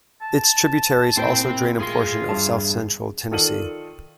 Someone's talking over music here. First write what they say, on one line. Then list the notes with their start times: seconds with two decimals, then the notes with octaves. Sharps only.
Its tributaries also drain a portion of south-central Tennessee.
0.22 A5
1.17 A#2 C4 E4 G5
1.80 F4 G#4 C6
2.29 E2 G2 A5
3.31 D#3 F4 A4 D5 D#7 F#7